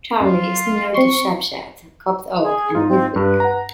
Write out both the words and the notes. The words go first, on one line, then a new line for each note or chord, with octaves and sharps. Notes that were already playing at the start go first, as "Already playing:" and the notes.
Charley is near to Shepshed, Copt Oak and Whitwick.
F#2 F4
C4 C6 C#6
G#4
G#2 D#4 F4
C4
G2 B4
F#5 A#5